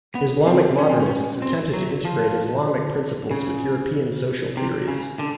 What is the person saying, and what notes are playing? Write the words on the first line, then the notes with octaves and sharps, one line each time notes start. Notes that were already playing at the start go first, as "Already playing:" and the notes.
Islamic Modernists attempted to integrate Islamic principles with European social theories.
B3
C4
C#4
C4
C#4
C4
F#3
F3
C#3
C3
C#3
D3